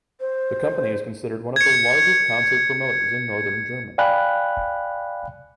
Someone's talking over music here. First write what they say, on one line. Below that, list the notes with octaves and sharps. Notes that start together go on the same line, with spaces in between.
The company is considered one of the largest concert promoters in northern Germany.
C5
G#6 C#7
D5 F5 G5 G#5 B5 F#6